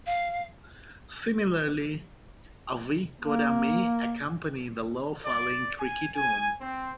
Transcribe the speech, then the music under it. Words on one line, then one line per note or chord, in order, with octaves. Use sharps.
Similarly, a weak coda may accompany the low-falling creaky tone.
F5
A#3
D5
G#5
G#5
C4